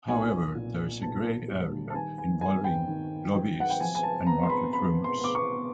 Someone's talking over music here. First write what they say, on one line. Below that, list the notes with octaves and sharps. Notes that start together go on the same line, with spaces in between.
However, there is a grey area involving lobbyists and market rumours.
B1 G#5
A#2
B1 A5
G3
A5
D#3 G#5
G#5
G2 G#5
G5
D#3
F#3
F#5
G5
F3 G#5
G#5
A5
B3 A#5
C6
B5
B3 B5
C6
B3 D6
C#6